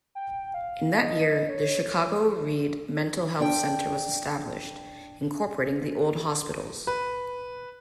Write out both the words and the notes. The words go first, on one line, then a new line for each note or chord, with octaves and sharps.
In that year, the Chicago-Read Mental Health Center was established, incorporating the old hospitals.
G5
F5
D#5
C#5
D4 G5
B4